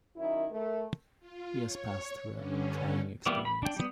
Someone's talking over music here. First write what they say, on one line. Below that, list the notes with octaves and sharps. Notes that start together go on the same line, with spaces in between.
He has passed through a trying experience.
F#2 D#3 E4
A3 A#4
F4
C#5
G2 D3 C#4
E3 G3 A#3 B3 G4
B5
D4 G5
G3 B3